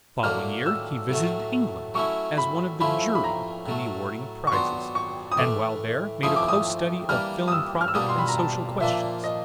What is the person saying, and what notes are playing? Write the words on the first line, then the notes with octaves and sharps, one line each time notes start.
The following year he visited England as one of the "jury" in the awarding of prizes; and while there made a close study of philanthropic and social questions.
A2 F#3 A#3 D4 F6
E6
A2 F#3 A3
F#3 A3 C#4 E4 C#6
B5
F3 A3 C#4 E4 B5
B5
A#5
A2 F#3 A3
C#6
F#3 B3 D4 C6
C#6
D#6
A2 E3 A3 D6
F3 A3 C#4 E4 D#6
D6
D#6
E3 G3 A#3 D4 F6
D#6
E6
F6
E6
B2 G3 A#3 D4 D#6
C6
B5
A#5
A5
A#2 F3 A#3 D4 E5
D#5